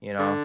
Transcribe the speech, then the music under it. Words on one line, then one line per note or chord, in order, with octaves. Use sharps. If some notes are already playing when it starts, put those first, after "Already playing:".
you know?
D3